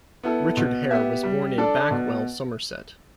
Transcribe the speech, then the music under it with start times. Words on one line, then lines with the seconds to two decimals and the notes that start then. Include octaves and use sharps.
Richard Hare was born in Backwell, Somerset.
0.23 B3 E4 A4
0.57 B2
0.91 B3 G4 E5
1.23 G3
1.58 D4 A4 D5
1.91 B2